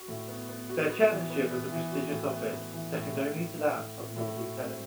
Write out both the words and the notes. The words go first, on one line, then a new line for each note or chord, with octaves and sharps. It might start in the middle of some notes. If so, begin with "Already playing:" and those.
The chairmanship was a prestigious office, second only to that of lord lieutenant.
Already playing: F#4
A2
B3
B3
F#4
B3
E3
B3
B3
E3
F#4
A2
B3
B3
E3
A2
A2
A2
A2
A2
C4
A2
F#4
C4